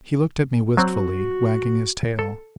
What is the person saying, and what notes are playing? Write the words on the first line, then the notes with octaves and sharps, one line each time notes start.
He looked at me wistfully, wagging his tail.
F#3 C4 F#4
A4